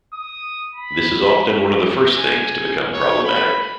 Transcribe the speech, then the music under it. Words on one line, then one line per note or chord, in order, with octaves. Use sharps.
This is often one of the first things to become problematic.
D#6
B5
G#5
C#5
B5